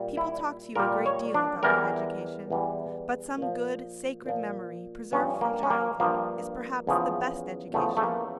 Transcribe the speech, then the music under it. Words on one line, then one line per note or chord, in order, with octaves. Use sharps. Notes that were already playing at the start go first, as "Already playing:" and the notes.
People talk to you a great deal about your education, but some good, sacred memory, preserved from childhood, is perhaps the best education.
Already playing: A#2 G3
E4
A#2 G3 A#4
C#5
D4
E2 E3 G3 A#4
E2 E3 G3
A#2 F3
A#2 F3
G2 F3 C#4
A#3
C#4
A#3
G2 F3 A#3
E2 C#3 F3
E2 C#3 F3 A3
A3
A#3